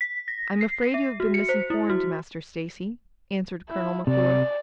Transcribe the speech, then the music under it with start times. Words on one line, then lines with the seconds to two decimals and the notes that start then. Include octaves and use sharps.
"I'm afraid you have been misinformed, Master Stacy," answered Colonel McClure.
0.01 B6
0.28 A#6
0.61 C7
0.94 E5
1.20 F#4
1.34 C#7
1.49 C5
1.70 E4
1.90 F#4
3.69 E4
4.07 C3 D5